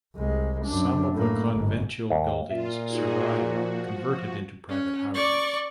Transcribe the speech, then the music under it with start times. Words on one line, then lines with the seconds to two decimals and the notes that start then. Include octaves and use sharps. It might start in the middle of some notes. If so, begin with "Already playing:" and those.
Some of the conventual buildings survive converted into private houses.
0.16 C2 G#3
0.65 F#2 D4
1.14 A2 A#3
1.54 G1 G#2
2.10 D#2
2.50 A#2 F4 E5
2.87 D#4 F#4 G#4
3.38 F3 F#4
4.69 C#4
5.14 D5 C#6